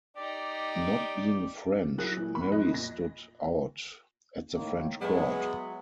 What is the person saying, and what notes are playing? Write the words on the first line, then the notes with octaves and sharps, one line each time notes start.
Not being French, Marie stood out at the French court.
D#4 G4 D5
F#3 E4 G#4 A#4 F#6
A#2 E3
A#3 B5
F2 D#5 F#6
A#2 A#6
A2 D#3 A#3
F#3 G#3 B3 B4 C#5 E5